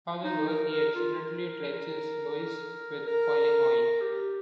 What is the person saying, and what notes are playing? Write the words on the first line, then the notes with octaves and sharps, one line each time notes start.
However, he accidentally drenches Lois with boiling oil.
D#4
A#4
A#4
F4
A#4
A#4
G4